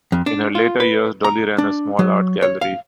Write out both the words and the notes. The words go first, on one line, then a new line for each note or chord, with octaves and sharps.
In her later years, Dolly ran a small art gallery.
F2
D4
F4
B4
A#5
D4
F#3
C#5
F5